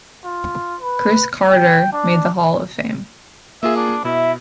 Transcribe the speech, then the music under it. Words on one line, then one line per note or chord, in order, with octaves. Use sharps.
Cris Carter made the Hall of Fame.
F4
B4
G5
D4
A#3 F4 G#4 E5
D4
B2 E4 E5